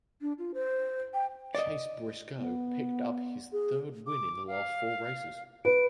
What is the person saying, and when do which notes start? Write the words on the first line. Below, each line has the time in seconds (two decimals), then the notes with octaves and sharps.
Chase Briscoe picked up his third win in the last four races.
0.21 D4
0.38 F4
0.54 C5
1.14 G5
1.55 D5 D#5
2.38 B3
3.52 G#4
4.06 D6
4.47 F5
5.65 B4 D7